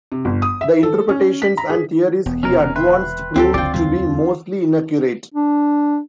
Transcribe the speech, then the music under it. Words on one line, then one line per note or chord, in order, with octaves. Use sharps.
The interpretations and theories he advanced proved to be mostly inaccurate.
C3
G1
D#6
E5
A4
C#4
B6
A#5
G#4
E1 B3
C3 C#4 D#4 A#4
B4 E5 G5 C6
D2 C4 G4 A4
F#1 C4 F4 D5 G5
E2 D3 G3 F4
D4